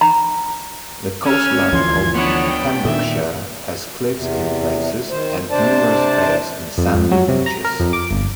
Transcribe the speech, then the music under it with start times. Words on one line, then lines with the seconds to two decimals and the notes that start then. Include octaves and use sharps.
The coastline of Pembrokeshire has cliffs in places, and numerous bays and sandy beaches.
0.01 A#5
1.26 C#4 E6 F6 G#6
1.73 D2 E3 F3 C6
2.16 B3 D4 C#5 F#5 B5 D#6
2.49 G5
2.85 A#2 D#3 E5
4.14 E2 C3
5.10 D#3 C5
5.51 C3 D4 C5 D5 A5
6.78 F2
6.94 F2
7.11 F#3
7.28 C3
7.46 A#5
7.65 A#4
7.80 F2
7.93 D6
8.11 G1